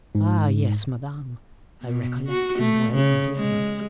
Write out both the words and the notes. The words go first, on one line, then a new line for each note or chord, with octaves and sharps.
'Ah yes, madame, I recollect him well in Vienna.
G#2
B2
F#4
A3
C#3
G#3